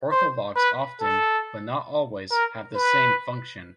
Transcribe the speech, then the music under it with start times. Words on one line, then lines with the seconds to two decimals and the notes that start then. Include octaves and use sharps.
Orthologs often, but not always, have the same function.
0.12 C5
0.56 B4
1.00 A4
2.31 A#4
2.75 B4